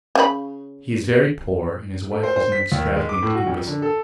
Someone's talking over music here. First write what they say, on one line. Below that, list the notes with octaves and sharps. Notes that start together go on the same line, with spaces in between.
He is very poor and his wife is an extravagant imbecile.
C#3 C4 B5
A3
C5
C5
B6
D#2
G#3
D6
A2
F#4
F2
D3
A4